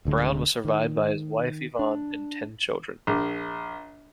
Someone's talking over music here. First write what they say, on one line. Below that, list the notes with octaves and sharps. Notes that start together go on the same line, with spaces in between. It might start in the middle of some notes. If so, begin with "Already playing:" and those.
Brown was survived by his wife Yvonne and ten children.
D1 D2 D3 G#3
D#3
D4
A#1